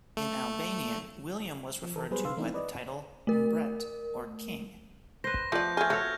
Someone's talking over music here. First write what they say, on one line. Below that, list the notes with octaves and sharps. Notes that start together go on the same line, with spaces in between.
In Albanian, William was referred to by the title "mbret," or king.
A3
F3
E3 A4 A#4
F#3 G3 B3 G#4 B4 C5
C3 B4 F5 C6 E6
E3 A3 B3 C4 D#4 E4
B4 D5 D#5
A3 A#4
B4 C5 A#6
F3 A3 B3 D5 G6
A3 G#4 F6 G6 G#6
A3 F#4 A4 C#5